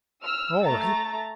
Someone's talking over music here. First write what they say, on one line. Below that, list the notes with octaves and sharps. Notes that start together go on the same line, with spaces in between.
'All right.
E6 F6
A3 A#5 A6